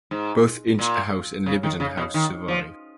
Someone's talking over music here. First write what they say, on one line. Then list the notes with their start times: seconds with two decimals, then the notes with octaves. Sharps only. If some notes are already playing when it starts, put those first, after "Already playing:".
Both Inch House and Liberton House survive.
0.11 G#2
0.79 A#2
1.46 C#3
1.63 D#3
1.80 C#3
1.97 B2
2.14 D#3
2.48 F3